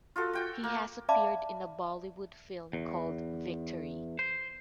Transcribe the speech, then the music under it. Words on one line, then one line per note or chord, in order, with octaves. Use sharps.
He has appeared in a Bollywood film called Victory.
F4 F#4 A4
F#4 G5
A#3
D5 E5 F5 A5 B5 D6
E2
C5